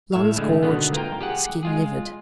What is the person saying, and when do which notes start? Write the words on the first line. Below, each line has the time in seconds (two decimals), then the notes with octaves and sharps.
Lungs gorged, skin livid.
0.12 A2 E5 F5
0.36 D3 G#3 A3
0.63 B2 D3 D#3 B3
0.93 A#3 F4 A#4 G5
1.21 G4 G#4 F#5
1.63 G#3 F4 G#4